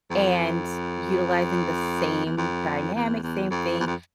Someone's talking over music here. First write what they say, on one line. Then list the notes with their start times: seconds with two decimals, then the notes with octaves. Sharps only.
and utilizing the same dynamic, same thing,
0.10 F2
2.26 E2
2.37 F2
2.94 E2
3.23 E2
3.51 F2
3.79 E2
3.87 F2